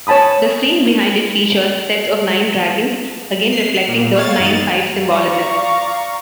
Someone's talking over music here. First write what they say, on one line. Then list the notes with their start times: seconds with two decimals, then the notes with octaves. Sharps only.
The screen behind it features sets of nine dragons, again reflecting the "nine-five" symbolism.
0.07 C#5 G#5 A5 B5 D#6
3.51 C7
3.87 A#2
4.15 C#5 F5 G#6 A6
4.39 F#2 E3 D#4 A6 D#7
5.03 D5 F5 A#5 C#6